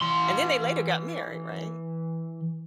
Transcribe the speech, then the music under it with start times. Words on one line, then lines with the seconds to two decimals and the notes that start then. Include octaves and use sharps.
And then they later got married, right?
0.01 E3 C6